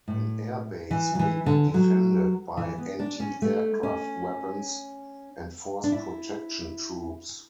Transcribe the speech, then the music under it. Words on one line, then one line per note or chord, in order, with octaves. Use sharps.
An air base may be defended by anti-aircraft weapons and force protection troops.
A2
E3
F#3
E3
D3
F#3
E3
B3
D4
C#4
A3
C#4
D4
E4